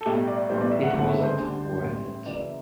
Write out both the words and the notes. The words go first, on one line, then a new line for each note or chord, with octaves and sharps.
It wasn't worth it.
A4
B1 A2 G3 G4
D5
B1 A2 E3 G3 C5
D5
E5
F#5
F#1 E2 D3 A3 F#5
E5
B4
C5
D2 D3 G3
A1 A2 G3
F#1 F#2 E3 D5
E5